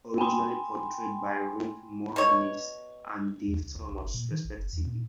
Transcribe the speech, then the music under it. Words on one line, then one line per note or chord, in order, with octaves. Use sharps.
Originally portrayed by Rick Moranis and Dave Thomas, respectively.
G5 G#5 B5 C6
B2 C#5
E2
C#2
C#2
B1
G1
A#2
D#3
A#1
F#1
E2
A#2